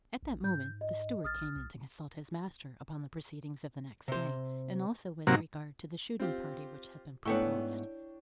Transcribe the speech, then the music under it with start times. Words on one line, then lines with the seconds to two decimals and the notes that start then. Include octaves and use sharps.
At that moment the steward came in to consult his master upon the proceedings of the next day and also with regard to the shooting party which had been proposed.
0.23 A#1
0.44 G#2 G6
0.81 D#5
1.24 A1 D#6 F6 A6
1.56 B1
4.08 C3 C5
5.27 G#2 C3 F#3 A#3 D#4
6.20 C4 F4 G4
7.26 G#2 A3 B3 D4 E4 C#5 G5 C#6